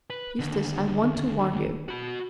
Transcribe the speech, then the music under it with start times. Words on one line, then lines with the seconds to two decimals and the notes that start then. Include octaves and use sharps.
Eustace, I want to warn you.
0.10 B4
0.39 D#2 D3
1.88 F#4 B5